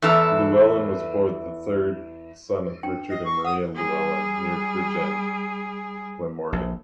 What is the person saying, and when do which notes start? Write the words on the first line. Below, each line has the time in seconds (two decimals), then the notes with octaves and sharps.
Lewellin was born the third son of Richard and Maria Lewellin, near Bridgend, Glamorgan.
0.02 E2 E3 A4 A#5
2.83 D4 G5
3.10 D#5 A#6 C7
3.25 C#6
3.44 F#5 D#6
3.75 G3 G#4
6.52 A#1